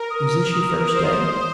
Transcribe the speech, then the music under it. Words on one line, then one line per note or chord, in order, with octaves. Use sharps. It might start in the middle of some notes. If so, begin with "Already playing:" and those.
Is this your first day?'
Already playing: A#4
D#6
C5